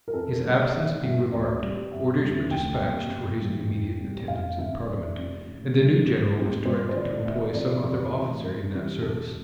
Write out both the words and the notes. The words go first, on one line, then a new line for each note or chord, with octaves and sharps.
His absence being remarked orders were despatched for his immediate attendance in parliament; and the new general was directed to employ some other officer in that service.
A#4
F2 A4
A#4
D3 G3 A#3
D5
A1 E5
G2 F3 A#3 E5
D2 D5
C3 G3
G1 E5
F2 C3 G3 A#3
D2 G5
C3 G3 A#3
G1
G2 E3 A#3
F1
E2 C3 G3
F1 F5
F2 D3 E5
F1 D5
F2 C3
A1
A2 G3
C2
A#2 G3 C4
G2 C5
C5
D3 A3 D5
D5
E2 E5
D3 F3 C4 D5
F2
E3 A3 C4
A1 A#4
G2 E3 G3 C4
E1 A4